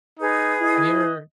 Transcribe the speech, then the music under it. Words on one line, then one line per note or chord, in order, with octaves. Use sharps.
Have you ever
D#4 G#4 B4
E4 D#5